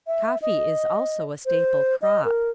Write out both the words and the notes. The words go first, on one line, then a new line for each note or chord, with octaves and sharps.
Coffee is also a staple crop.
E5
D#5
C5
D#5
A#4